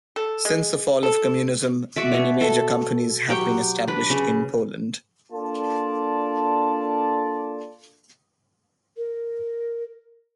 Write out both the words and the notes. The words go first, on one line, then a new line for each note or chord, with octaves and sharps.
Since the fall of communism many major companies have been established in Poland.
A4
G#3
A4
F#4 D5 E5
B2 C#5
A4
F#3 G4 G5 C#6
D4 B4
C#3
A#3 D4 F4 A4 D5 A5
A#4